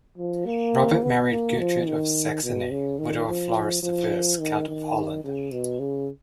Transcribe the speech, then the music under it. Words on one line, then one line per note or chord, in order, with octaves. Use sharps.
Robert married Gertrude of Saxony, widow of Floris the First, Count of Holland.
F3
A#3
B3
A#3
F3
D#3
B2
C#3
D#3
F3
F3
D#3
D#3
C#3
B2
C#3